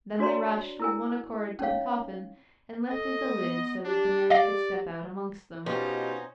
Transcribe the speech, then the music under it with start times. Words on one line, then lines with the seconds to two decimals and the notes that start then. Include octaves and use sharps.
Then they rushed with one accord to the coffin, and lifted the lid so that the man could step out amongst them.
0.19 D4 F#4 C#5 D5 A#5 C6
0.80 E4 A#4 G#5
1.59 C#4 D#4 C#5 F5
2.91 A4 D#5
3.40 B3
3.85 D4 G4
4.30 D5 D#5 F5 A#6
5.66 B2 C#4 D#4 F4 G4 C5